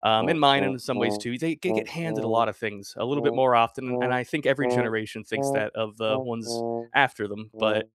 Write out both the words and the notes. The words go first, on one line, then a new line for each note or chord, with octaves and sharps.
um, and mine, in some ways too, they they get handed a lotta things a little bit more often, and I think every generation thinks that of the ones after them. But,
F#2
G2
G#2
A2
A2
A#2
B2
B2
C#3
C3
A#2
A2